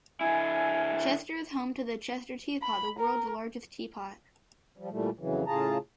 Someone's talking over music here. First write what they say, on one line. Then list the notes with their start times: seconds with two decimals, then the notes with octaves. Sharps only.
Chester is home to the Chester teapot, the World's Largest Teapot.
0.21 D3 E4 G#5
2.62 B5
2.99 A#4
4.77 F3 G3
4.90 A#2 E3 G3 A3
5.19 F2 C#3 E3 F#3
5.47 A2 C#3 F4 G#4 A5 A#5